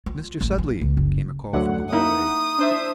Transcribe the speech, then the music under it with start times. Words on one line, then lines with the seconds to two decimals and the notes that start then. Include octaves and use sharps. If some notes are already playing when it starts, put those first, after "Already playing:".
"Mr. Sudley!" came a call from the hallway.
0.06 F4
0.41 A1
0.58 F3
0.81 C#2
0.97 F#1
1.53 D2 D3 F#3 F#5
1.92 A#3 D#4 E4 D#6
2.58 D4 C5 E5